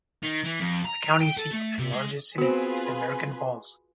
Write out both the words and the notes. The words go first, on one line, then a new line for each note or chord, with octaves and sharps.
The county seat and largest city is American Falls.
D#3
E3
F2
A#5
G5
A4
A3
C3
G#3
B3 C4 F4 F#4 G#4 B4 C5